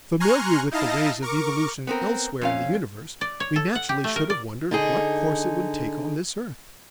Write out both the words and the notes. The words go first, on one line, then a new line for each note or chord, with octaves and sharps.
Familiar with the ways of evolution elsewhere in the universe, we naturally should have wondered what course it would take on this earth.
G#5 A#5 C6 C#6 F6 F#6
D#4 E4 D#5 F5 A5 A#6
A#4 C#6 D6
B3 C4 A#4
F2 C#4 F5
D5
C#5
A4
F#5
G4
A3
A#4
D5
D3 D#4 G#4